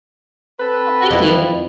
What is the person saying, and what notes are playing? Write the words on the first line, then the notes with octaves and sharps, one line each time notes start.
Oh, thank you.
C4 A4 B4
F2 E4